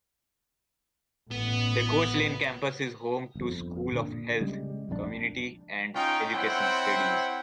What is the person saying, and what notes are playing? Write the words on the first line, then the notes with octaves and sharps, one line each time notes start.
The Coach Lane Campus is home to School of Health, Community and Education Studies.
A1 B3
G1 F2
A#2 D3 D4
C#3 G3 G#3
A#1 F2 D3 D4
C#4 D#4 F4 G5
C4 E4 C#5 F#5 G5 C6